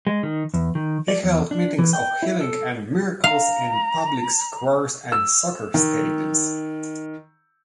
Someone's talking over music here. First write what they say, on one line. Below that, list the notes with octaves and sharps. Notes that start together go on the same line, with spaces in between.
He held meetings of healing and miracles in public squares and soccer stadiums.
G#3
D#3
E2
D#3
D5
E2
D4
E3
G5
E4
A4
F5 A#5
E6
D#3